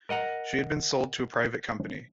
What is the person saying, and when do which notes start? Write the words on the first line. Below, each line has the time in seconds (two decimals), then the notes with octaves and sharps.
She has been sold to a private company.
0.09 A#4 D#5 F#5 A#5